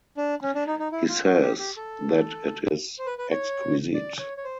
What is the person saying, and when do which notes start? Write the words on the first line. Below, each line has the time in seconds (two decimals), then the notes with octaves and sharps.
He says that it is exquisite.
0.17 D4
0.42 C#4
0.55 D4
0.67 D#4
0.79 D#4
0.92 E4
1.09 F4
1.25 F#4
1.42 G4
1.59 G4
1.77 A4
2.99 C5
3.06 B4
3.18 B4
3.31 C#5
3.94 D5
4.19 C#5
4.37 C#5
4.44 C5